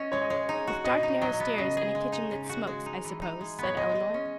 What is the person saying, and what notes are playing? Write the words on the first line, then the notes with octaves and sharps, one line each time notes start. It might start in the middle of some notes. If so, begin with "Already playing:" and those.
"With dark narrow stairs and a kitchen that smokes, I suppose," said Elinor.
Already playing: C#4 D#5
G#3 C#5
D#5
G#3 C#5
D#4
F#4
B2 D#5
D#4
F#3 D#5
B3
C#3 D#5
G#4
G#3
D#4
C#3
F#4
G#3
D#4
E3
D#4
G#3
B3 C#5
G#3 D#5
G#3
C#4